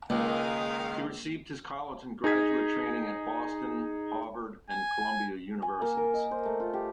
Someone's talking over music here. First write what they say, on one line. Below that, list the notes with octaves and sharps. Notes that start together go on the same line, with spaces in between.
He received his college and graduate training at Boston, Harvard, and Columbia universities.
C#2 D#3 G#3 A#3 F5
D#4 G#4 A#5 G#6 B6
G#5
G#5
A#3
A#4
D#5
C5
A3
F4
G4